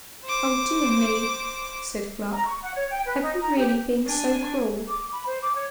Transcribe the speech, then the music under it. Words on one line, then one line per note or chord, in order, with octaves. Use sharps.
"O dear me!" said Gluck, "have you really been so cruel?"
C5 D6
A#5
C#6
F#5
C#5
G5
B4
D#4
A#5
G4
D4 G#5
D6
B5
C5
D6
C#5